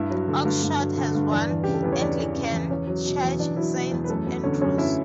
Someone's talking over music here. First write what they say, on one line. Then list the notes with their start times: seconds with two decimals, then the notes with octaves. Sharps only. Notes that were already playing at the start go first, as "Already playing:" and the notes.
Oxshott has one, Anglican, church, Saint Andrew's.
Already playing: G2 E4 E5
0.11 F#3
0.28 D3
0.45 G2
0.63 G2
0.80 F#3
0.97 D3
1.15 G2
1.31 E2 D4 D5
1.50 E3
1.64 C#3 G4
1.74 A4
1.82 E2 B4
1.92 C#5
2.01 E2 D4 D5
2.19 E3
2.36 C#3
2.53 E2
2.71 E2 C#4 C#5
2.87 F#3
3.05 B2
3.23 E2
3.39 E2 D4 D5
3.56 F#3 E4 E5
3.74 B2
3.92 E2
4.04 B4
4.08 F#2 A3 A4
4.26 F#3 B3 B4
4.43 D3 C#4 C#5
4.61 F#2 C#4 C#5
4.78 F#2 E4 E5